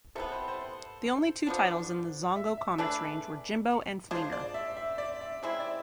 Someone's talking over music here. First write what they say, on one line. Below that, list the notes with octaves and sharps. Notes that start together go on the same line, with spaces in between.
The only two titles in the Zongo Comics range were "Jimbo" and "Fleener".
C3 E3 B3 A4
C5
C5
D3 F3 B3 D4
E5
E5
A3 D4 G#4 B4
G#3 D4 F4 C5
D5
E5
E5
D5
E5
C3 G#3 C4 E4 E5
D5